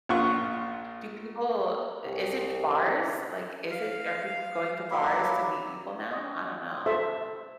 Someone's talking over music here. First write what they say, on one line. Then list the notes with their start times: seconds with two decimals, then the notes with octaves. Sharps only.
do people is it bars? Like, is it are people going to bars to meet people now? I don't know.
0.09 A#1 F4 F#5 C#6
2.04 C2
3.71 F5
4.91 F#3 A#3 E4 G4
6.11 D#5
6.86 A4 C5 E5